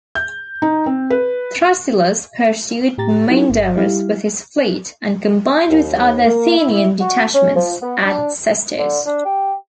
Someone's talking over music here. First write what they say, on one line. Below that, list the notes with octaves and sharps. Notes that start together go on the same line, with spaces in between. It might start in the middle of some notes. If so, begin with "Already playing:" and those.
Thrasyllus pursued Mindarus with his fleet, and combined with other Athenian detachments at Sestos.
G6
D#4
C4
B4
A2 G4 A#5 A6
F#3 D#4 E4 F#4 G4 A#4
G1
G3 E4 G4 F5
D#2
A#3
E4
F#4
C#4
F3
B3
D4
D3
D4
G4